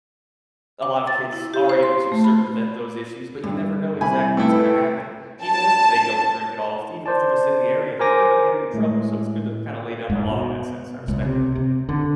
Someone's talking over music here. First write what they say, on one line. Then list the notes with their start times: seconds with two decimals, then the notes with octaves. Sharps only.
a lot of kids are able to circumvent those issues, but you never know exactly what's gonna happen even if they don't drink at all, f even if they're just in the area, they can end up getting in trouble, so it's good to kinda lay down the law in that sense, I respect it.
0.82 D6
1.07 A6
1.33 E4
1.54 G4
1.69 C5
1.83 C6
2.12 A3
2.24 B5
3.44 G2
4.01 C2 G#5 B5
4.37 A3 E4 B4 G5
5.44 A5
7.06 C5 D5 A5
7.99 A#4 C5 G#5 D6 A#6
8.74 A2 G#3
10.10 G#2
10.30 B2
11.08 C#2
11.25 C3
11.55 C3
11.89 D3